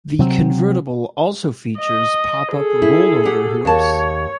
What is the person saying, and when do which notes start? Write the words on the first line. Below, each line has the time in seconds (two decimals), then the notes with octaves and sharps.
The convertible also features pop-up rollover hoops.
0.19 C3 F#3 C4
1.78 D#5
2.52 G#4 A4
2.82 E4
3.25 G4 F#5
3.65 D#2 C#5 A5